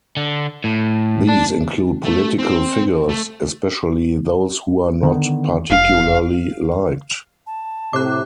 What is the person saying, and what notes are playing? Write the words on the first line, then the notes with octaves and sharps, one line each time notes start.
These include political figures, especially those who are not particularly liked.
D3
A2
D4
A3
C4
A3
D3 D#3 B3
F1 F5
A5
A2 C3 D6 F#6